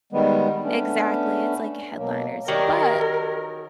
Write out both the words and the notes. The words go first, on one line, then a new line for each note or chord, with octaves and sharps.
Exactly, it's like headliners, but
D#3 G3 G#3 B3
A3 B3 C#4 D4
B2 F#3 A#3
D#3 F#3 G4 G#4 A#4 D5